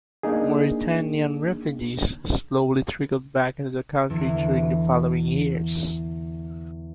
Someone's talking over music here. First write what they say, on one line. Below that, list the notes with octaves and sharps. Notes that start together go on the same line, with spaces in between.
Mauritanian refugees slowly trickled back into the country during the following years.
A#3 D4 D#4 G#4
E2 D3 E3